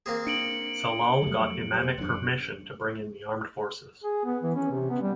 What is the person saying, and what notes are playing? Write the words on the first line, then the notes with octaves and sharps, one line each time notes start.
Sallal got imamic permission to bring in the armed forces.
A#3 C4 G#4
D4 C#7 D7 F#7
F2 F#3 G3 A3
G4 C5
D#1 F#2 D4 F#6
G#4
B3
E3
C#4
C3
B3
G3